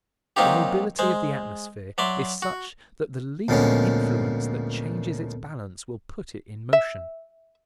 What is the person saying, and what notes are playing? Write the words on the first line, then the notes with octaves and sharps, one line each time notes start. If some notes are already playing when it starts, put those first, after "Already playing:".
The mobility of the atmosphere is such that the least influence that changes its balance will put it in motion.
A#2 F#3 C4 D#4 F4 G4
G#3 C5
F#3 D5 E5 C6
F#4
D2 A#2 F3 G#3 B3 C#4
E5